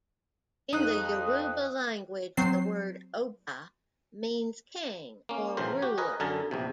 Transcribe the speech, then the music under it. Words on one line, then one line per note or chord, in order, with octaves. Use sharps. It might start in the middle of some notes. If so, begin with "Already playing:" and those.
In the Yoruba language, the word "oba" means king or ruler.
F2 D#4 D#6 F#6
F#3 C4 C5 C7
A#3 C#4
A#1 C#3 E3 A#4 C5
F#4 G4
A#4 B4 D#5 G#5
F#2 D3 A#4 G#5 A5
A#1 E2 C3